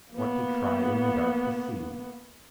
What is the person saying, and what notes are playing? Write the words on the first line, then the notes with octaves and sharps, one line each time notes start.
Want to try in the dark to see.
A#3 B3